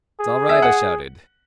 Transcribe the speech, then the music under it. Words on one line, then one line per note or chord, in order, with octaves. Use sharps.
"It's all right," I shouted.
G#4
E5
F#5